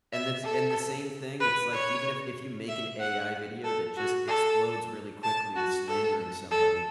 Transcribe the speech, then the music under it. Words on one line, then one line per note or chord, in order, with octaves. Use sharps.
and the and the same thing, it's like, even if if you make an AI video that just explodes really quickly, slandering somebody,
E5
A4
B4
C#5
E5
F#5
A4
F#4
A4
A5
F#4
A4
A4